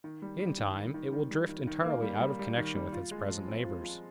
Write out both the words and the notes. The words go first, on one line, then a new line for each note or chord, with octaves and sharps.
In time it will drift entirely out of connection with its present neighbors.
D#3
G3
G3
D#3
D#3
D#3
D#3
G3
D#3
D#3
A#3
G3
G3
G3
D#3
G3
F4
G#3
F3
C4
F4
F3